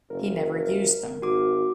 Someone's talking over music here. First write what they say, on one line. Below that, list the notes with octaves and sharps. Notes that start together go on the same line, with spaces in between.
He never used them.
F#1 A#4
G#1 F#4 D6